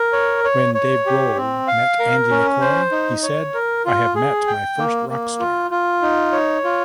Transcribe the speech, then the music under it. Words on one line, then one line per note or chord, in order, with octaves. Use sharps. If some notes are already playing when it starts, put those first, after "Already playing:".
When Dave Grohl met Andy McCoy he said I have met my first Rockstar.
Already playing: A#4
C#5
C#5
C#5
G4
C4
F5
A#4
C#4
C5
D#4
C#5
A#4
F4
G#4
G5
A#3
A#3
F4
F4
D#4
C#5
F4